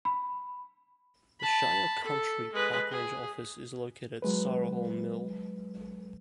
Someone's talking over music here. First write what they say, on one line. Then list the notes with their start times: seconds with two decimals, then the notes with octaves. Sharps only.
The Shire Country Park ranger office is located at Sarehole Mill.
0.05 B5
1.40 A5 B5
2.04 A4
2.53 G#3 B4
2.91 G#4
4.22 F#3 G#3 B4